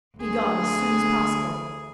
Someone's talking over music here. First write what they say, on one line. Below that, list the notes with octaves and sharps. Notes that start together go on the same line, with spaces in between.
Begone as soon as possible.
D2 G#4